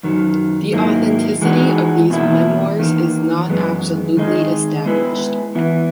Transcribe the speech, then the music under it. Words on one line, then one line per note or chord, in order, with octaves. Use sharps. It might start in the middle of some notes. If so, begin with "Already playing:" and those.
The authenticity of these memoirs is not absolutely established.
F#2 D#3 F#3
G#2 D#3 F#3 A#3 E4
E3 G#3 D#4 F#4
E2 B2 A#3 E4
E2 D#3 A#3
F#2 E3 G#3 B3
D#3 G#3 D#4 G#4 D#5
G#3 B3 E4 B4
E3 B3 E4